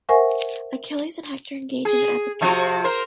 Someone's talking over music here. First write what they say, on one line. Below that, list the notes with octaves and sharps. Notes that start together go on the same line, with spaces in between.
Achilles and Hector engage in an epic duel.
A#4 C5 E5 F#5 G#5 C#6
G#4
C3 F3 F#4
A#4 C5